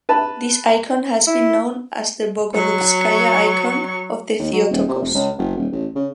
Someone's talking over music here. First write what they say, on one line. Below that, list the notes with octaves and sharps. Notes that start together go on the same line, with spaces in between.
This icon has been known as the Bogolubskaya Icon of the Theotokos.
B4 A5
E4
F#3 C#6
D#2
F#3
D#1
C3
F1
C#2
F#1
D#1
A1
C#3